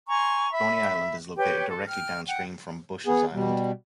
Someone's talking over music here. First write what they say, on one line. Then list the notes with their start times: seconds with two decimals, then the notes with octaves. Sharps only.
Coney Island is located directly downstream from Bushes Island.
0.09 G#5 A#5 C6 C#6
0.51 E5 B5
1.37 G4 B4 C#5 G5
1.68 A4
1.88 G5 F6
2.27 F#5 G5
3.07 B3 G#4
3.33 B2 G3